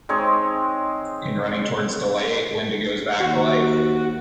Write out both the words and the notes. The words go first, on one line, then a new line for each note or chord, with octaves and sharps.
In running towards the light, Linda goes back to life.
G#3 C4 D#4 C#5
D#2 F#4